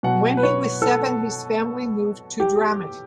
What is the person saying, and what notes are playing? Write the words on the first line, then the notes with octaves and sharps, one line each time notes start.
When he was seven, his family moved to Drammen.
B2 F#3 F#5
B4
C#5
A4
G4